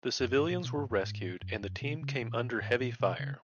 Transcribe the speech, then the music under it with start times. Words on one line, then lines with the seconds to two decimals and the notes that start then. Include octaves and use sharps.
The civilians were rescued and the team came under heavy fire.
0.20 F2
0.25 F#2
0.37 G#2
0.51 A#2
0.64 B2
0.77 G#2
0.90 F#2
1.04 G#2
1.42 F#2
1.62 F#2
1.82 B2
2.02 C#3
2.21 A#2
2.61 G#2
2.80 A#2
3.00 B2
3.19 C#3